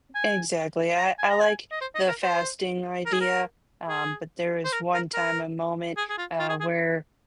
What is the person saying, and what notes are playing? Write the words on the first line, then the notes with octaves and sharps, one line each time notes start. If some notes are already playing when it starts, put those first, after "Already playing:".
Exactly, I I like the fasting idea, um, but there is one time, a moment, uh, where
G#5
A#5
G#5
A#5
G#5
D#5
C5
D#5
A#4
C5
A#4
G#4
A#4
G#4
C5
A#4
A#4
A#4
G#4
G#4
F4
F4
G#4
G#4